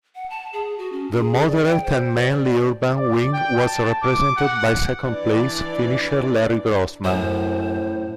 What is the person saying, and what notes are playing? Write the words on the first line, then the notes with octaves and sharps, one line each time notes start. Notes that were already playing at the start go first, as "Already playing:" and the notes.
The moderate and mainly urban wing was represented by second-place finisher Larry Grossman.
F#5
A5
G#4
F#4
C#4
G#4
D5
G5
C5
D5
D5
G5
A5
D6
F#5
E3 D4 D5
F#2 A2 C5